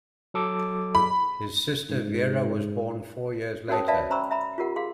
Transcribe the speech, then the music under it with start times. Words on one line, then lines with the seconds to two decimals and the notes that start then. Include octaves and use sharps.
His sister, Vera, was born four years later.
0.34 F#3 A4 D6
0.95 B5
1.89 G#2
3.69 C#4 F#4 A#4 C#5 A5 D#6
3.88 B4 D5 E5 F5 A5 B5
4.10 C#4 C5 A#5 B5 C#6 E6
4.31 E5 A#5 B5
4.58 F4 G4 A#4 F#5
4.76 G#4 F5 C6